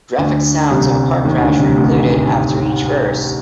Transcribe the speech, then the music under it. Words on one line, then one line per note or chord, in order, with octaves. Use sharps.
Graphic sounds of a car crash are included after each verse.
D2 D3
C2 C3
D#2 D#3
D2 D3
C2 C3
A1 A2